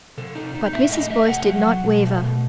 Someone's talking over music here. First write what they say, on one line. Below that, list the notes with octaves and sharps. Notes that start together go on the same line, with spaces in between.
But Mrs. Boyce did not waver.
C3 A4
D#4
D#4
A2 E5
A3 D#5
A3 E5
C3 F#5
F#3
F#3
B2
A3
B2